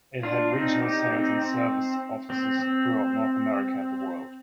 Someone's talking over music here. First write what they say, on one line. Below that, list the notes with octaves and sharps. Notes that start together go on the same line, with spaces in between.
It had regional sales and service offices throughout North America and the world.
D4 F4
C4 D#4
D#4 G4
C4 D#4
C4
C4
C4